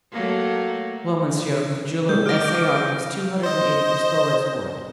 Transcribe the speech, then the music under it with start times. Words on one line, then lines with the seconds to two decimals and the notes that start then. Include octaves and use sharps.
"Well, monsieur, the jeweler of S. A. R. gives two hundred and eighty pistoles for it."
0.12 F#3 A3 A#3
2.09 G3 G#3 G6
2.26 D6 F6 A#6
3.43 C5 D#5